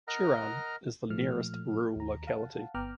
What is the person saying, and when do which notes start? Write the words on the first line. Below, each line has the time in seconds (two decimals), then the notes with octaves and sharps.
Turan is the nearest rural locality.
0.08 A#4 D#5 F#5 A#5 F6
1.10 A#2 F3 A3 F6
1.96 D#2 A#5
2.27 F5 F#5 A5
2.74 G1 B3 G5 A#5 D6 F6